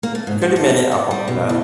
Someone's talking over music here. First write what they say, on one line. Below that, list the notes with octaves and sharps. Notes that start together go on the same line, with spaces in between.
Including many are popular.
A#3
A3
G#2
F#4
A4
A#3
B3
G3
B2
A2